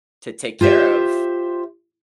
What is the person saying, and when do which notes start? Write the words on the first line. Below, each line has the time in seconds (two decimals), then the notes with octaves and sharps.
to take care of
0.61 F4 G4 C5 E5